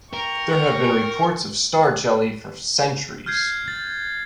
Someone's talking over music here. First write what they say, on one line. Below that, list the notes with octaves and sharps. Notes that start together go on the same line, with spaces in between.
There have been reports of 'star-jelly' for centuries.
A#4 G5 C#6
F6 G6 G#6 C7
A6